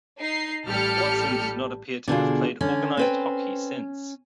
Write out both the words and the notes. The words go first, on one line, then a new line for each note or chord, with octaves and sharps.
Watson does not appear to have played organized hockey since.
D#4 C7
A1 G3 G4 A4 F6 C#7
B2 D3 D4 F4 G#4
D3 C#4
C4 B4 G5